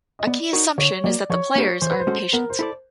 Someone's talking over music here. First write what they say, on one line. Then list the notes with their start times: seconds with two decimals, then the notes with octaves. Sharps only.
A key assumption is that the players are impatient.
0.19 D#5
0.27 B3 D5
0.53 D#4 F#4 A#4 C#5
0.78 D3 C#5
1.04 F#3 A#3 D5
1.30 F3 C#5
1.56 A#3 D4 G4 B4
1.81 E3 C5
1.91 B4
2.00 C5
2.07 G#3 C#4 F#4 A4
2.33 B3 A#4
2.50 C5
2.59 E4 A4 D5